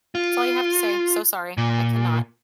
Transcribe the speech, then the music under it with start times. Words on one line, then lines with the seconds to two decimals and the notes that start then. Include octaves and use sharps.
That's all you have to say, "So sorry, I cannot."
0.15 F4
1.57 A#2